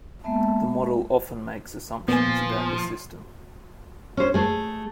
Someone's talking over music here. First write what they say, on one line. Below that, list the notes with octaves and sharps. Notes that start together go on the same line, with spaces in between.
The model often makes assumptions about the system.
G#3 A#3 B3 E5 A5
A#2 F3 B3 G#5
C#4 C5
A3 G#4